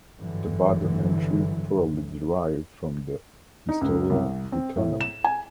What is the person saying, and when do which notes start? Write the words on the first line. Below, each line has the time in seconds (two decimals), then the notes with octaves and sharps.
The Badon entry probably derived from the "Historia Brittonum".
0.18 G#1 G2 D3 E3 F#3
3.69 D#4
3.81 C#2
4.10 C2
4.52 C4
4.76 A2
5.01 E7
5.24 G#5